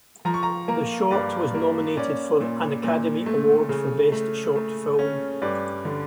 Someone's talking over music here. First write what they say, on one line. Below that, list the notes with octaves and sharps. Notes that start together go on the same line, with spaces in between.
The short was nominated for an Academy Award for Best Short Film.
F3 A#5
C#6
A#5
A#3 A#5
G2 D5
A#3
C#4 D5
A#2
A#2
A3
C#3
A3
A3
C#4
G2 D5
D3